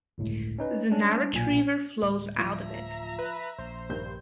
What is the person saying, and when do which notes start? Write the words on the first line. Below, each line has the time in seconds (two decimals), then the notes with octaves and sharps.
The Narach River flows out of it.
0.18 G1 C#2 A2
0.58 C#4 D#4 B4
0.91 G3 C#4 D4
1.33 B1 A#2 G#5
2.02 D1
2.38 F3 E5 A#5
3.19 B4
3.58 A#1 C5
3.89 G2 D#3 G6